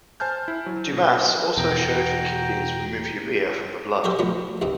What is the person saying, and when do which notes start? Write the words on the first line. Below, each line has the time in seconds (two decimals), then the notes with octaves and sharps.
Dumas also showed that kidneys remove urea from the blood.
0.20 C5 G#5 A5 F6 G6
0.48 E4
0.66 F#3
0.93 B2
1.57 E2 B2 F#4 G5 A#5
4.04 F#3 F#4 G4 A#4 C5 E5
4.19 A2 F3 F#3 B3
4.61 C2 G2 C4 D#4